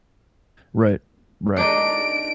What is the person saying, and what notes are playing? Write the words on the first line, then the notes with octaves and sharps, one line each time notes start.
Right. Right.
D4 D#4 D#5 D7